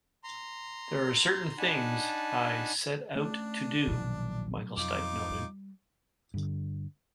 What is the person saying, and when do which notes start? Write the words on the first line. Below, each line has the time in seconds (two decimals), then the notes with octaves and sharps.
"There are certain things I set out to do," Michael Stipe noted.
0.24 A#5 C6
1.58 D4 D#4 F#5 G#5 A5 B5
3.15 A3 C#4 D4
3.87 D#1 A#1 D#2 B2 F#3
4.77 F2 D#4 F4 D6
5.30 G3
6.34 G2 D3